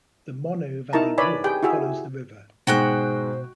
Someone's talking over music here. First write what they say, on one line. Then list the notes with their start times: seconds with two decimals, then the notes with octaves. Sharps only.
The Monnow Valley Walk follows the river.
0.93 D#4 E4 A#4 A5 A#5
1.18 B4 C#5 D5 G#5 B5
1.44 G4 G#4 G5
1.63 E4 F#4 G#4 E5
2.67 G#2 B2 G#3 F#4 C5 G5 F#6